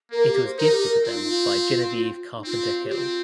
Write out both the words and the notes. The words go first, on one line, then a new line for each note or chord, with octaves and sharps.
It was gifted to them by Genevieve Carpenter Hill.
A#3 A#4
G4
C5
D#4 A#4
G4
A#4
C4 F4
D#4
F4
D#4
C4 F4
G4
C4 F4